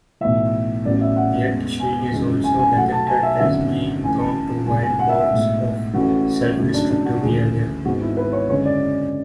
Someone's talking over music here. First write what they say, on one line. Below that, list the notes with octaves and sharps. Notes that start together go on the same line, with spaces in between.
Yet she is also depicted as being prone to wild bouts of self-destructive behavior.
B1 A2 E3 E5
A1 A2 F#3 B3 D5
E5
F#5
E2 B2 G#3 B3
G#5
G#1 F#2 C#3 E3 G#3
G#5
G#5
B1 B2 F#3 A3 F#5
A5
G#5
E5
G#1 F#2 D3 F#3 B3 E5
F#2 E3 A3 G#5
A5
G#1 F#2 C#3 G#3 B3 G#5
G#5
F#5
E5
E5
B1 A2 G#3
A1 A2 E3 A3 F#4
G#1 F#2 C#3 F#3 A3
D4
D4
F#4
D2 C#3 E3 A3 G#4
G#1 G#2 G#3 B3 F#4
E4
B4
C#5
F#1 F#2 D3 G#3 C#5
D5